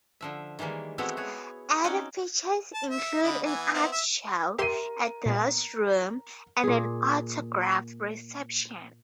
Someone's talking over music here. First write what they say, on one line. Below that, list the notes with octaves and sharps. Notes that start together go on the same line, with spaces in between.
Other features include an art show, a dealer's room, and an autograph reception.
D3 F3 E5
D#3 E3 G3 G#3 A#3
G#3 A3 B3 C4 E4 F#4
F#4 G#4 C#5
C4 C#4 D#4 F#4 D5 F#5
A5
E5
D3 D#5 B5
E3 B3 G#5
B3 C4 E4
E5
G4 A#4 E5 C6 D#7
A#2 B3
A#2 G#4